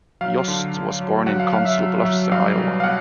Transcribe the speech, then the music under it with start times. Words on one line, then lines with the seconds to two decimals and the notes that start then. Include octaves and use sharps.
Yost was born in Council Bluffs, Iowa.
0.21 F#3 F5
0.48 D3
0.74 D3
1.00 F#3
1.26 F#3 F#5
1.40 F5
1.52 F#3 F5
1.65 E5
1.79 F#3
2.05 F#3
2.32 G3 F5
2.58 B2
2.80 F5
2.84 B2 F#5